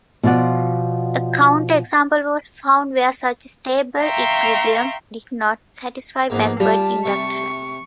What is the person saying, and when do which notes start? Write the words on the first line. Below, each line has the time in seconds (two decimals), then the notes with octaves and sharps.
A counter-example was found where such a stable equilibrium did not satisfy backward induction.
0.23 B2 F3 F4 D5 F#5
4.00 E5 F5 G5 A#5 C6 C#6
6.30 G#2 F3 A#3 B3
6.60 G3 F4 A5 D6
7.05 C3 E5 A5 C#6